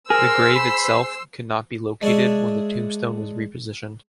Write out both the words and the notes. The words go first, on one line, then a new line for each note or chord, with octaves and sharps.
The grave itself could not be located when the tombstone was repositioned.
G#4 A#4 C5 E6 C7
B5
G#3 D4 G#4 C#5 E5